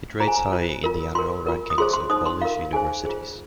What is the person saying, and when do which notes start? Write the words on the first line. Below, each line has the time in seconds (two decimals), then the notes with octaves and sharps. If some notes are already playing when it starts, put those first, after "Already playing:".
It rates high in the annual rankings of Polish universities.
0.20 F4 G#4 C5 A#5
0.28 G#5
0.35 A#5
0.52 F4 C5
0.84 F4 A#4
1.15 F4 A#4 C6
1.46 F4 A#4
1.70 D#6
1.78 F4 G#4 C5 C6
1.93 C6
2.10 D#4 C5 D#6
2.26 C6
2.41 F4 A#4 F5
2.73 D#4 G#4 C5 G#5
3.05 F4 G#4 C5